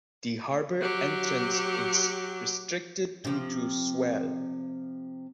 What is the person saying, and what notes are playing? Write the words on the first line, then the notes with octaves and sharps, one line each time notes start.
The harbor entrance is restricted due to swell.
F#3 G4
C3 F3